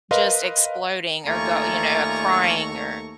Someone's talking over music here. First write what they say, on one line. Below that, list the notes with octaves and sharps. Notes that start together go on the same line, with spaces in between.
just exploding or go you know, crying or
A#4 B4 D#5 F5 C6
D#2 A3 F4 D5 G#5 A#5 C#6